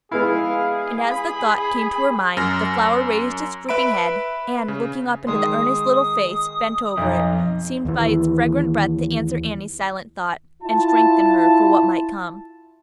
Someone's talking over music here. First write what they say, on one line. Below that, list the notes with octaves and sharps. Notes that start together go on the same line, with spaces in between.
And as the thought came to her mind, the flower raised its drooping head, and, looking up into the earnest little face bent over it, seemed by its fragrant breath to answer Annie's silent thought, and strengthen her for what might come.
G#3 B3 E4 G#4 F5
B5
F#2 F6 A#6
B4 E5 B5 D7
C#3
D#3 G#3 C6 D#6
B1 F2 D#4
D#2 E3
E4 F4 A5